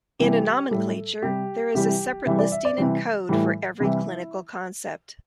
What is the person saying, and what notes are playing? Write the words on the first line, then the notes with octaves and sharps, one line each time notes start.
In a nomenclature there is a separate listing and code for every clinical concept.
C3 E3 G3 G4
A2 G3 A4
C3 G3 G4
C3 E3 G3 G4
C3 E3 G3 E5
D5
E5
D5
C3 E3 G3
A2 E3 G3
C3 E3 G3 E4